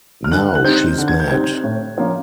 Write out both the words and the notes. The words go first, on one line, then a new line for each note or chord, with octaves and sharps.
Now she's mad.
F6
D3 F#6
F#6
G3 C4 D#4 G6
D3
G#6
G6
G3 C4 D#4 G#6
A2
F3 A#3 C#4